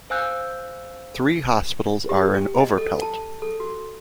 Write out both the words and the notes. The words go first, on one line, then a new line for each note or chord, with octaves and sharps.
Three hospitals are in Overpelt.
C5 F5 G#5 E6 F#6 G6
G4
G5
D#5
A4
A5
A4
F#4